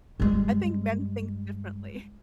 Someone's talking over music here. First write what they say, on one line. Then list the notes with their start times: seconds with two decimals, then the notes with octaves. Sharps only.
I I think men think differently.
0.20 G2 G#3